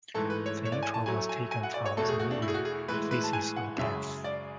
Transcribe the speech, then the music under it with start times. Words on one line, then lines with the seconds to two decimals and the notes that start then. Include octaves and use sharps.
The intro was taken from the movie "Faces of Death".
0.14 G#2 E3 A3 A4
0.30 B4
0.46 C#5
0.65 C#5
0.72 D5
0.83 G#5
0.94 A5
1.06 A2 F#3 A3 G#5
1.29 G#5
1.51 G#5
1.63 F#5
1.74 D5
1.86 C#5
1.97 E2 B2 A3 A4
2.09 G#4
2.20 F#4
2.31 D4
2.42 E4
2.48 G#4
2.54 F#4
2.65 G#4
2.88 A2 E3 G#3 B4
3.11 B4
3.24 A5
3.33 G#5
3.56 F#5
3.79 F#2 C#3 G#3 E5
4.24 D5